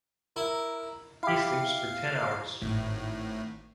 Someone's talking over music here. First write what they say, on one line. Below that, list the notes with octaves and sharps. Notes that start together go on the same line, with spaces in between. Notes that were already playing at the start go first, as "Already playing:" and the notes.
He sleeps for ten hours.
E4 A#4
E4 G4 F5
G#1 A2